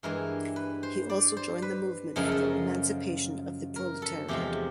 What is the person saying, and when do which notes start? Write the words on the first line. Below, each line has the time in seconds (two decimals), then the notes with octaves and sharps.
He also joined the Movement for the Emancipation of the Proletariat.
0.03 G2 E3 G#3 A#4
0.56 B4
0.83 C5
1.09 D5
1.37 C5
1.62 B4
2.16 F#2 C#3 F3 G#3 A#4
2.23 A4
2.32 A#4
3.76 A#4
4.02 A4
4.28 E2 C3 F3 G#3 G4